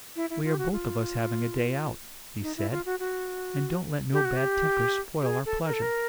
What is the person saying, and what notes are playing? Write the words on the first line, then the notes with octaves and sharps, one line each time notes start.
'We are both of us having a day out,' he said, 'and don't let no bad tempers spoil our pleasure.
E4
E4
F4
G4
F#4
F4
D#4
E4
F4
F#4
F#4
G4
F#4
G4
G4
G#4
A4
A#4
A4
A#4